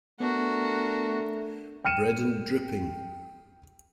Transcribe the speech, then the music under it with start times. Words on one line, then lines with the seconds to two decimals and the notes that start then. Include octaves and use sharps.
Bread and dripping.
0.20 A3 B3 D4 F#4 A#4
1.84 G5 F6 C#7 D#7 E7